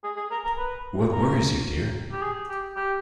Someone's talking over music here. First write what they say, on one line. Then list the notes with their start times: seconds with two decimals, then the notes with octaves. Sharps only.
What worries you, dear?
0.04 G#4
0.17 G#4
0.31 A#4
0.45 A#4
0.58 B4
1.13 A#4
2.12 G4
2.22 G#4
2.50 G4
2.77 G4